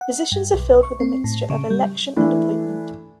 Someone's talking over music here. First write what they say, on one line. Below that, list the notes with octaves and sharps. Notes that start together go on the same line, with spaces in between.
Positions are filled with a mixture of election and appointment.
F#5
G2
B1
C#6
C4
A2
C#3
G3
E3 A3 D4 E4